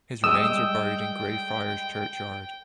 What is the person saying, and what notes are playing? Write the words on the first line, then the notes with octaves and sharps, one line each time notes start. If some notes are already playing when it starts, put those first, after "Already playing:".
His remains were buried in Greyfriars Churchyard.
G3 G#3 D#5 G5 D#6 E6